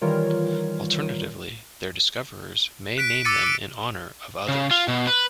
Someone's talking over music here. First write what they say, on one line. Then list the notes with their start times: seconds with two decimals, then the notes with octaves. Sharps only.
Alternatively, their discoverers may name them in honor of others.
0.01 D#3 E3 G3 F4 A#4 C#5
2.98 F#6 B6 D7
3.25 D6 E6 A6 C#7 D#7
3.43 D6 D7
4.48 C#3
4.71 F4
4.88 B2
5.07 B4